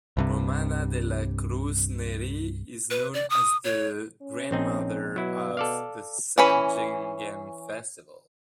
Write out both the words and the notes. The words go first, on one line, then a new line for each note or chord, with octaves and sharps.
Romana dela Cruz-Neri is known as the Grandmother of the Sagingan Festival.
C2 G2 C3
B4
D5
D#6
C#5
C#4
A#1 C4 D#4
B2 F#3 E4
A4 D5 F5
E3 C#4 B5